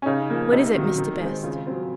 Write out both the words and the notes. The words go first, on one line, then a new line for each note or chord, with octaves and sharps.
"What is it, Mr. Best?"
C#4
C#3 D#4
F3 A#3
C3 D#4
D#3 F#3
D#3
G#3 C4
C#3 F4
F#3 C4 F4